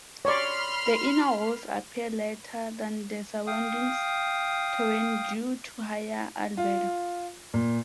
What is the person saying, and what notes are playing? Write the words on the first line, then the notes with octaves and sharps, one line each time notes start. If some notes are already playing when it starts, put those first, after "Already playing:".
The inner walls appear lighter than the surrounding terrain due to higher albedo.
C#5 D5 B5 C6 F6
F5 G5 D#6
F4
A#2